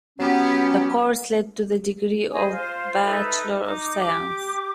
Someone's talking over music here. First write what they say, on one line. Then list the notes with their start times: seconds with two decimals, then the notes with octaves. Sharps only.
The course led to the degree of Bachelor of Science.
0.18 F#3 B3 C#4 G4
2.32 G#4 C5 D#5 G#5
2.52 F4 C5
3.04 D#4 A4 B4 E5
3.64 D#4 D6
4.01 G4 D6